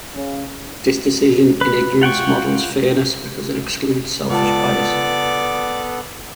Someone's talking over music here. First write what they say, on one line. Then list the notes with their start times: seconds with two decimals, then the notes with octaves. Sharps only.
This decision-in-ignorance models fairness because it excludes selfish bias.
0.15 C#3
1.61 B4
2.01 F4 F#5 G5 C#6
4.30 C#2 B3 A4 D5 A5